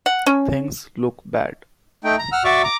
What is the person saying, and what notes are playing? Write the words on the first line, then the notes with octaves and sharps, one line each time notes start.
Things look bad.
F#5
C#4
A3 D#4 G5
A#5
F#5 E6 F6
F#4 D5 E5 C#6 D6 E6
A#5 D6